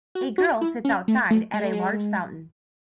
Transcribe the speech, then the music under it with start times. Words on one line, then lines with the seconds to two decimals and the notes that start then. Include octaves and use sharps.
A girl sits outside at a large fountain.
0.15 F#4
0.38 F#4
0.61 E4
0.85 C#4
1.08 A3
1.31 A3
1.54 G#3
1.64 A3
1.73 G#3